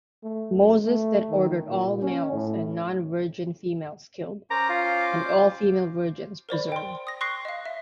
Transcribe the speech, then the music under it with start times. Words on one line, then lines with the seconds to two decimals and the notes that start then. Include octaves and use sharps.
Moses then ordered all males and non-virgin females killed, and all female virgins preserved.
0.23 A3
0.55 F#2
0.85 A3
1.29 D#3
1.69 A#2
2.02 C#4
2.32 A2
4.51 C#4 C5 A#5 D6
4.69 F4
6.49 A#4 C5 D5 B5
6.72 G5 C6
7.07 D#6 A#6
7.21 C6 C#6 D#6 F#6 A#6 C7
7.45 D#5 F5
7.65 E5